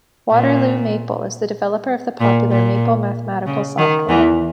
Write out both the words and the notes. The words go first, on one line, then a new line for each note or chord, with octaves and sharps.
Waterloo Maple is the developer of the popular Maple mathematical software.
A#2
A#2
A#2
C#3
D#3
E2 E3